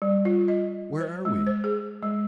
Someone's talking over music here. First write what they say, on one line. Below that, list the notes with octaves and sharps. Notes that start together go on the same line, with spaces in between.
"Where are we?"
G3
F4
D#5
C5
G#3
C5
G#4
G#3